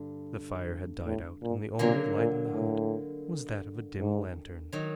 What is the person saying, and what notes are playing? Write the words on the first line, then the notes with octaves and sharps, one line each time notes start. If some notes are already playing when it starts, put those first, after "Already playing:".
The fire had died out, and the only light in the hut was that of a dim lantern.
Already playing: G2 D3
A2
A#2
A#2 D3 F#3 A#3
A#2
A2
G#2
D#3 F#3